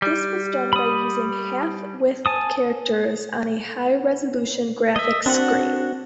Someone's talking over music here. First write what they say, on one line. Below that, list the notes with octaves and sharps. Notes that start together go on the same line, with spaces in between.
This was done by using half-width characters on a high-resolution graphics screen.
G3
B5 D#6
G#5 A5 D#6
D#5 E5
C4 D4 F#4 F#5